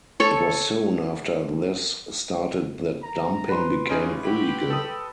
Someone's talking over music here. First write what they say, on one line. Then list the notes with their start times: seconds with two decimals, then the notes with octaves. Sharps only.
It was soon after this started that dumping became illegal.
0.20 A4 C#5
3.02 A#5
3.48 B4 C6
3.89 C#4 D#4 F4 G4 G#4 C#5
4.23 E4 F#4 G4 G5 B5
4.70 A4 D#6